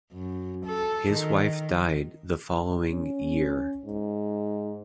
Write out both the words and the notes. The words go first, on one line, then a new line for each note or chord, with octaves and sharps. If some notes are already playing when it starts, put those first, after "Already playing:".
His wife died the following year.
F#2
A4
D#3
C#4
G#2